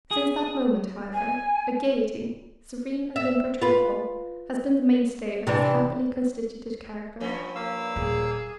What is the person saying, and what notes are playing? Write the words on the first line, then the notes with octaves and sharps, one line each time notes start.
Since that moment, however, a gaiety, serene and imperturbable, has been the mainstay of his happily constituted character.
G#4
G#5
E5
F4 B4
C3 E3 D4
G2 F3 C#4
A#3 F5 E6
D#1 G#4